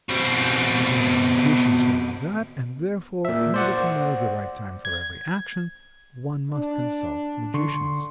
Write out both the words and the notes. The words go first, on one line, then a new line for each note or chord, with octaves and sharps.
It is only magicians who know that; and, therefore, in order to know the right time for every action, one must consult magicians.
B2 C4
A#2 E5
C5 D5 F#5
G#6
D4
D3 C6 C#6